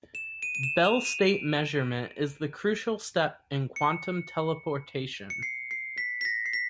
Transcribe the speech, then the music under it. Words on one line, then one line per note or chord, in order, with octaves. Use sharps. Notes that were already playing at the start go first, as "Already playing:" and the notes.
Bell-state measurement is the crucial step in quantum teleportation.
E7
D#7
D#7
E7
F7
D#7
D7
C#7
C#7
C7
C7
B6
B6
A#6
C7
B6